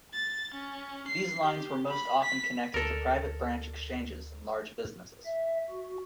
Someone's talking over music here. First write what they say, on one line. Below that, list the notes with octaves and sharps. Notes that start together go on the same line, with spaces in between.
These lines were most often connected to private branch exchanges in large businesses.
A6
C#4
C7
G4
B5
B6
D2 A4 A#4
E5
F#4